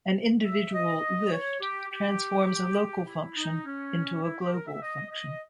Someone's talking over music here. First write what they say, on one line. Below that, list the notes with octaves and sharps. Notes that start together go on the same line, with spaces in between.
An individual "lift" transforms a local function into a global function.
E5
D#5
C#5
G4
G4
E4
D#4
C#4
E4
G4
A#4
E5
D#5
D#5